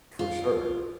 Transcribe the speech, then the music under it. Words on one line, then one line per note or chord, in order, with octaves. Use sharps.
For sure.
F4